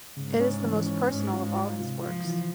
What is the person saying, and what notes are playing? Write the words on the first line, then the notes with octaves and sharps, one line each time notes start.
It is the most personal of all his works.
G#2 C#3
C#4
E3
C#4
G#2 C#4
F4
G#2
F4
C3
F3 F4
E3